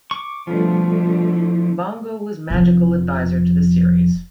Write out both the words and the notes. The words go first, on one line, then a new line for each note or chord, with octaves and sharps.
Bongo was magical adviser to the series.
C#6 D6
B2 D3 F3 G3 A3 F4 A4
E4
F1 F3